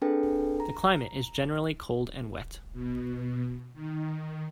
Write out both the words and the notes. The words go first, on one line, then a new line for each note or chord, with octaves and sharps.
The climate is generally cold and wet.
C4 D4 G#4 A4 B4 G5
A#5
B2
D#3